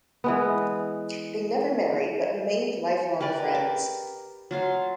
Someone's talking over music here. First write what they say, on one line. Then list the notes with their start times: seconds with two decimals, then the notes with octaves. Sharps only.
They never married but remain lifelong friends.
0.24 E3 G#3 B3
3.20 G4 A#4 B4 D5
3.55 D6
4.51 F#3 F4 F5